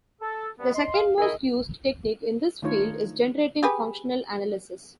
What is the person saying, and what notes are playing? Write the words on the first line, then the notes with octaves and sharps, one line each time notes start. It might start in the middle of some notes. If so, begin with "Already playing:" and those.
The second most used technique in this field is generating functional analysis.
A4
G2 B3
D#5 C6
F5
D#3 E4 G#4 D#5
D#3 A3 D4 D#4 F4 C#5
G4 G#4 B4